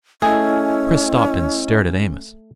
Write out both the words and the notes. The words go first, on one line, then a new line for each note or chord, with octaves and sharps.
Chris stopped and stared at Amos.
A3 C#4 E4 G#4 D#5 E6